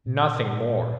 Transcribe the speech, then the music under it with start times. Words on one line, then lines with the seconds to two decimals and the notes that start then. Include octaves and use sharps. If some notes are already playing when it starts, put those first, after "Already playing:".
Nothing more.
0.06 A#2